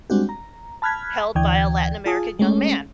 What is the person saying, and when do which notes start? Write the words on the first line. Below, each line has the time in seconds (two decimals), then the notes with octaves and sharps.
held by a Latin American young man.
0.10 G3 G#3 C4 D4 F#4 G4
0.29 A#5
0.82 A5 B5 F6 F#6 G#6 B6
1.35 D2 E3 D5 G5 G#6
2.06 F4 G#4 G#5 A5 D#6
2.39 G#3 A3 C#4